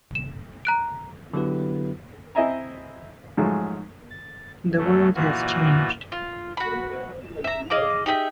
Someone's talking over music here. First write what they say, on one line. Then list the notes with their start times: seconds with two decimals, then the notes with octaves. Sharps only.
The world has changed.
0.15 E7
0.65 A#5 F#6 D7
1.34 D3 F#3 B3 E4 G4 B4
2.35 C4 E4 D#5 E5 G#5 A#5
3.37 G#2 F3 F#3 G#3 A3
4.11 A6
4.77 F#2 A3
5.15 A#2 E3 F4 F#4
6.12 F4
6.57 F#4 B5
7.44 E5 A#5
7.70 G#4 D#5 F5 D6
8.06 D#4 G4 G#4 E5